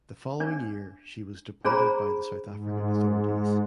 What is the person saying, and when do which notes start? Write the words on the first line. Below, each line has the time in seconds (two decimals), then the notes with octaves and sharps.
The following year she was deported by the South African authorities.
0.40 D4
1.65 D4 G#4 C5 A#5 B5
2.46 G#2